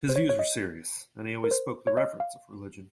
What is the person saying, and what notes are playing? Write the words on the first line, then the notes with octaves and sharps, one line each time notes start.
His views were serious, and he always spoke with reverence of religion.
C5
C#5
C#5
D#5
A#4
C5
C#5
D#5
F5